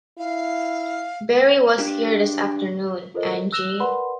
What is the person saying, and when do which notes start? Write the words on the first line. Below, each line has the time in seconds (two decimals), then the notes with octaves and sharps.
Barry was here this afternoon, Angie.
0.18 E4 F5
1.78 D4 G4
3.14 F4 A4 A#4 C5 D#5
3.52 E6 F#6 A#6 E7 F7
3.80 A#4 B4 D5 F#5 B5 C6